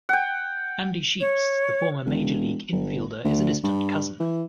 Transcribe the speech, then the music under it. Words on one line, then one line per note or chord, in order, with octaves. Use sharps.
Andy Sheets, the former major league infielder, is a distant cousin.
F#5 G5
C#5
E1
G1
D2
G2
E3